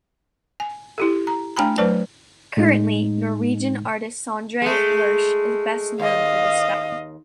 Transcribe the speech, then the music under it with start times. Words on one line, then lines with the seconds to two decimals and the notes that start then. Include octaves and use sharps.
Currently Norwegian artist Sondre Lerche is best known for this style.
0.60 G#5
0.98 E4 G4 A4
1.27 A#5
1.57 A3 D4 G5 G#5 A#5 B5
1.78 F#3 A3 B4 C5 D5 A5
2.57 A2 G#3 D#4
4.62 G#3 A3
6.00 D#2 D#5 F5